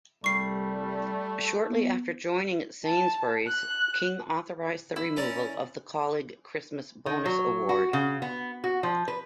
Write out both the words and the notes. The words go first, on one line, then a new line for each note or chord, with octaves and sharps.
Shortly after joining Sainsbury's, King authorised the removal of the Colleague Christmas Bonus award.
C2 G3 A3 C#6 C7
B3
A5
F#6
E4
C#4 A#4 D5
D#3
F#3
F#4
C#3
B3
F#4
F3
B4